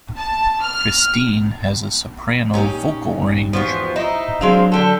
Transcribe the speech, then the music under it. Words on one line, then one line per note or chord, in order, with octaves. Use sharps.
Kristine has a soprano vocal range.
A5
F6
A#2 C#4 D#4 G4
E2 G#2 F3 B3 F#4 G4
D#4 E4 C5
F#3 G#3 C4 D4 F5
D3 G4 A4